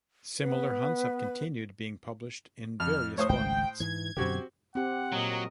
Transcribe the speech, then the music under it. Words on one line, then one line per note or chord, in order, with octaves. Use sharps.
Similar hunts have continued being published in various formats.
B3 B4
F2 F6
A2 C5 C#5 D#6
G#1 C#2 G5
G#2 E3 G#6
F#2 B2 D3 C4 F#4 G4
C4 G4 F#5
A#2 F#3 A#4 D#5